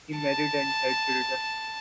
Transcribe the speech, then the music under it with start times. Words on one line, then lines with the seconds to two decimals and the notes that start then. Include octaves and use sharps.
He married and had children.
0.17 A5